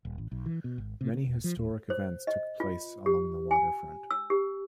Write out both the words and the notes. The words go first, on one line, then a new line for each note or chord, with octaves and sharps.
Many historic events took place along the waterfront.
D#1
A1
B1
E3
B2
G#1
C3
C#3
E1
F3
D#1
C5
D#5
F4
G4
G#5
E6
G4